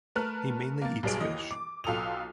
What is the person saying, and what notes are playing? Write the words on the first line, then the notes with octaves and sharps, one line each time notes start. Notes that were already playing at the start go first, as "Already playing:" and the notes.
He mainly eats fish.
A3 A#4 B4 A5 F6 F#6
A#3 A6
B1 G2 B2 B3 G#4 D7
D#2 E3 D#5
D6
B1 F4 A4 G5 D#6 F7